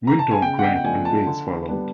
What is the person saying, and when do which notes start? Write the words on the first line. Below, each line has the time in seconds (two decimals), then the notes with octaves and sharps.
Wintour, Grant and Bates followed.
0.07 A#5
0.19 A5
0.31 G#5
0.42 C#3 G5
0.59 F#5
0.64 G5
0.76 G5
0.84 F3 A3 D4 G#5
1.05 A5
1.27 D3
1.68 G3 B3 D4